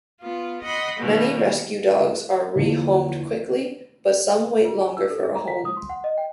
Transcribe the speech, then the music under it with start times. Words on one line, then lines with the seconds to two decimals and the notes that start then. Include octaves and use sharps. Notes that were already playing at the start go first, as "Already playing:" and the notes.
Many rescue dogs are rehomed quickly, but some wait longer for a home.
0.22 B3 F4
0.63 D#5 F#5 B5 C6
1.00 B2 D#3 G3 A#3
2.56 E2 D3 F3 A#3
4.65 F4
4.81 G#5
4.97 E6
5.11 A4
5.23 G#4
5.35 A#5
5.48 B6
5.65 D#6
5.77 C6
5.90 F#5
6.04 D#5
6.18 G5